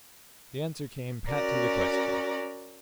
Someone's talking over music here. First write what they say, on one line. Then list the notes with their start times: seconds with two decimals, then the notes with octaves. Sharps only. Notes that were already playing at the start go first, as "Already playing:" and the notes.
The answer came pat to the question.
1.29 C#4 F#4 A#4 D5